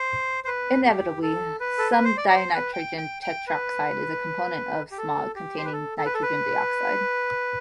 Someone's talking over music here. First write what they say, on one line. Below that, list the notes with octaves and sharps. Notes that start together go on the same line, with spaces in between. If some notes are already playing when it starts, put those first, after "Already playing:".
Inevitably, some dinitrogen tetroxide is a component of smog containing nitrogen dioxide.
Already playing: C5
C5
B4
G4
A4
B4
A4
B4
C5
D5
D5
C5
B4
G5
G5
G5
B4
G4
A4
G4
C5
B4
A4
A4
B4
A4
B4